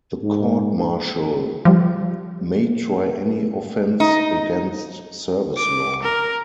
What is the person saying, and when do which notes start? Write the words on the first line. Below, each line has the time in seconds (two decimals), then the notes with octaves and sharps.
The Court Martial may try any offence against service law.
0.22 G#2
1.65 F3 G3
4.00 D#4
5.57 D6
6.03 A#4